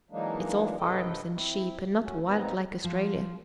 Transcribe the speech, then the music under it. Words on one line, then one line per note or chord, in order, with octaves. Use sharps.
It's all farms and sheep and not wild like Australia.
E3 F#3 G#3 A#3 D4 D#4
G2 C3 A4 B4 D#5 G5
C4 E4
D#2 C#4 F#4
A#2 B3 C4 D#4 B4 A#5
F3